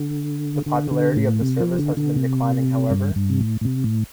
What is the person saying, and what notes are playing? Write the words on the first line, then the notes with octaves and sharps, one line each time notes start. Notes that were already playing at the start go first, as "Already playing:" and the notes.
The popularity of the service has been declining, however.
Already playing: D3
D3
D3
A2
C3
F3
D3
D3
C3
G2
G2
C3
A2
A2
C3
A2